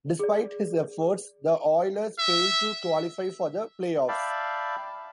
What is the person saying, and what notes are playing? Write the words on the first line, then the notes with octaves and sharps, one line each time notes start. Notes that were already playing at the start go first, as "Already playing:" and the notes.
Despite his efforts, the Oilers failed to qualify for the playoffs.
G#4 D5
E5
D5 E5 F5 G5 A5 B5